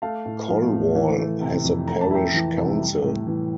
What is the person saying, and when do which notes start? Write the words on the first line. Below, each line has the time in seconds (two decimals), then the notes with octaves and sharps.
Colwall has a parish council.
0.02 A3 F5 A5
0.26 A2
0.48 F3
0.72 A2
0.96 E3
1.18 A3
1.41 C3
1.64 F2
1.87 A3 A#5
2.01 A5
2.11 E4 G5 A#5
2.34 E3
2.57 C3
2.80 G3
3.03 A2
3.27 E3